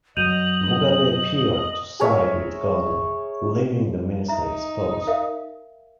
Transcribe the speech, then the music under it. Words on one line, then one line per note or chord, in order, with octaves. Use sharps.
Mugabe appeared to side with Gono, leaving the minister exposed.
F#2 F#3 D#5 G6 D#7 F7 F#7
G#4 A#4 C#5 E5
D#4 E5 A#5
A#4 E5 F5